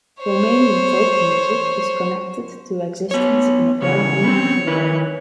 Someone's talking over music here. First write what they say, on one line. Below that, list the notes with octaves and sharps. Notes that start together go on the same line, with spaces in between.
Romanian folk music is connected to existence in a very meaningful way.
C5 C#5
B3 C#5
C#3 E3 C#5
B3 C4
D#3 E4 B4